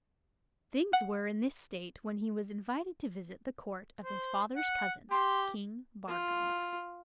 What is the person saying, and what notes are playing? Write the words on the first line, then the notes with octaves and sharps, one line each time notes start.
Things were in this state when he was invited to visit the court of his father's cousin, King Bardondon.
F#5
C5
F#5
G4 C6
F4